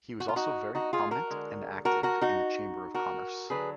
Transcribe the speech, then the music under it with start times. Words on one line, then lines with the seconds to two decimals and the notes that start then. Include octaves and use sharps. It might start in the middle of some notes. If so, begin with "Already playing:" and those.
He was also very prominent and active in the Chamber of Commerce.
0.20 F#4
0.28 F4
0.36 D#4 F#4
0.75 D#4 F#4
0.93 F4 G#4
1.11 F#4 A#4
1.30 D3 G#3
1.85 F#4 A#4
2.03 F#4 A#4
2.21 D#4 F#4
2.94 F#4 A#4
3.50 D3 F#3 G#4 B4